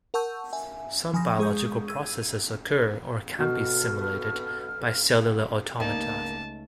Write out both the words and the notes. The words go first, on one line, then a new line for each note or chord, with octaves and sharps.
Some biological processes occur-or can be simulated-by cellular automata.
A#4 F#5 A5 C#6 E6 G6
E5 G#5
F3 G#5 B5 D#6 A#6
G#3 G#4 C#6 D#6 G6
E6 G#6 D#7
B2 A4 B4 F6
C#2 A3 A#3 D#4 A5